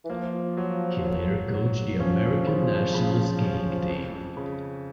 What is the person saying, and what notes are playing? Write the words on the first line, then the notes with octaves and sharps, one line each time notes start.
He later coached the American national skiing team.
E3
F3 A#3
F#3
F#3
F#3
F3 C#4
C#3
C#3
C#4
F2
C#3